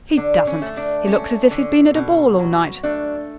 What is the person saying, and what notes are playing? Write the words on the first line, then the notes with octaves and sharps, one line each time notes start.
He doesn't; he looks as if he'd been at a ball all night.
D3 D4
C#4
A3
D4
C#4
D3
B2
F#3
A3 D4